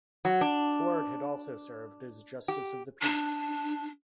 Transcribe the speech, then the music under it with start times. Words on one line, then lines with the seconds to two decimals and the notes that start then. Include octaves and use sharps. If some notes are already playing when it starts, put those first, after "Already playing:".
Ford had also served as justice of the peace.
0.25 F#3
0.41 D4
2.48 G4
3.02 D4